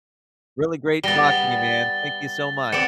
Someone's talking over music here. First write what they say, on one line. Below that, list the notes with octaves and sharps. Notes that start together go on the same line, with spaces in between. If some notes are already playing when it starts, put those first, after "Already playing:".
Really great talking to you man, thank you so much.
G3 B3 A6 A#6 G7
B3 C4 D5 A6 C#7 E7